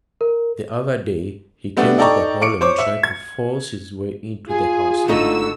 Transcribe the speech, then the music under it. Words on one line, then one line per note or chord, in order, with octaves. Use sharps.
The other day he came to the Hall and tried to force his way into the house.
A#4
G3 A3 B3 D4
D#4 A4 D5 G5 A#5 C#6
C#6 D6 C#7 D7
C5 C#5 D6
E5 C#7
G#6
F4 G#4 G#5
G#1 D3 A3 D#4 F#4 D#5 E6